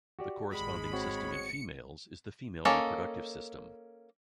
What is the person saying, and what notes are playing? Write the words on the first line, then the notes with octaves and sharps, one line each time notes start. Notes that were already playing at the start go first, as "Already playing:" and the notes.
The corresponding system in females is the female reproductive system.
F#4 G4 D5
G#1 G#3 B5
C4 F#4 C#5
C#7
A#3 C#4 A4 D#5